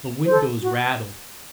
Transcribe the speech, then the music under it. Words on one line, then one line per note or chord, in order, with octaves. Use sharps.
The windows rattled.
A4 C5
F#4